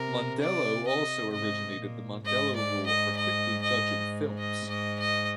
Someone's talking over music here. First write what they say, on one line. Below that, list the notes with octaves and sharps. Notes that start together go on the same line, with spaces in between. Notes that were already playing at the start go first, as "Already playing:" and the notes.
Mondello also originated the Mondello Rule for Quickly Judging Films.
Already playing: C3 A#4
D5
D#5
G#2 D#5
A#2
G#2 D#5
D5
D#5
D#5
D#5
D#5
D#5
D#5